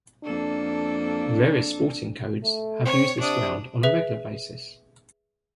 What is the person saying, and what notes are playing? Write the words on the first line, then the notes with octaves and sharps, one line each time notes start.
Various sporting codes have used this ground on a regular basis.
F2 A#3 D4 A4
A3
C4 C#5
C3 D4 D#6
G#4 B4 E5